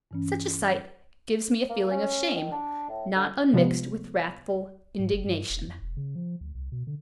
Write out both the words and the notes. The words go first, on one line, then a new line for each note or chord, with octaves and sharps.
Such a sight gives me a feeling of shame, not unmixed with wrathful indignation.
G2 E3 C#4
A#3
C#4
D#3
D4
A2
D3
C3 F3 G3 G#3 B3
G#2
F#1
G2
E1
F2
E1
C#3
F3
D2
C2
B2
D3